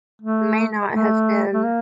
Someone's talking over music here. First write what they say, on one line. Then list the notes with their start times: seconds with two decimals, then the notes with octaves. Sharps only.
may not have been
0.22 A3
0.93 A3
1.53 A3
1.64 A#3